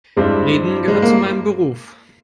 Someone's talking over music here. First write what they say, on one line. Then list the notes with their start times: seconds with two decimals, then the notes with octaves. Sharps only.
Reden gehört zu meinem Beruf.
0.17 G2 G3 G#3 C4 E4
0.88 G#3
1.02 A#3